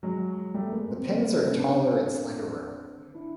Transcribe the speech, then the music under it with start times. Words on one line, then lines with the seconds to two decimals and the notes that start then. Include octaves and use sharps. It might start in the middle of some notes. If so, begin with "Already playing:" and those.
The pins are taller and slenderer.
0.03 F#3 G#3
0.54 G3 A3
0.72 G#3 A#3
0.89 A#3 C4
1.07 A#3 C4
1.20 A3 B3
1.32 A3 B3
1.46 B3 C#4
1.59 C4 D4
3.14 D4 E4